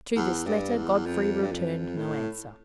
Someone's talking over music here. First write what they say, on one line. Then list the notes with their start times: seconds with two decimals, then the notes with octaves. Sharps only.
To this letter Godfrey returned no answer.
0.16 E2
0.46 G2
0.76 E2
1.06 F2
1.43 G2
1.52 F2
1.97 A2